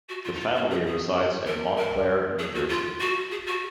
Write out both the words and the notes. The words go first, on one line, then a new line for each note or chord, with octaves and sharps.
The family resides in Montclair, New Jersey.
F#4
F4
D#4
F4
F#4
G#4
G#4
A#4
A#4
G#4
F#4
F4
F#4
G#4
F#4